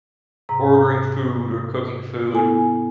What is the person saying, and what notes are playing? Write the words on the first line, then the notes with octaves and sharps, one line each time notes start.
ordering food or cooking food,
G#2 C3 A#5
B3 E4 A4 G#5